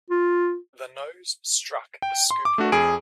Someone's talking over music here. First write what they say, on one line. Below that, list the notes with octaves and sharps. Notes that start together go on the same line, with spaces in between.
The nose struck a scoop loader.
F4
G5
C6
D6
A3 D4 F#4
F2 G#4 D7